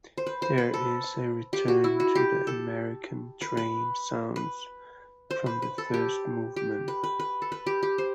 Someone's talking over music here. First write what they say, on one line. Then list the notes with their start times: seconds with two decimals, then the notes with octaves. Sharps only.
There is a return to the American train sounds from the first movement.
0.18 C5
0.27 B4
0.42 C5
0.58 B4
0.74 A4
1.53 G4
1.68 F#4
1.84 E4
2.00 F#4
2.15 G4
2.47 A4
3.42 B4
3.57 B4
4.36 B4
5.31 C5
5.46 B4
5.62 B4
5.78 A4
5.94 G4
6.56 G4
6.88 B4
7.04 B4
7.20 B4
7.42 A4
7.52 B4
7.66 G4
7.83 G4
7.98 C5